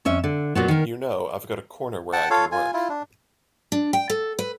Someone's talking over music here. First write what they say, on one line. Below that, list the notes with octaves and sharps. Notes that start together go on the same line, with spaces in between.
You know, I’ve got a corner where I can work.
F2 C#4 E5
D3
A#2 F#3 B3
D#3 A#4
F#5 G5 A5
F4 A4 C#5 F5
F4 G#5
E4 F4
D4
D4
G5
A4
B4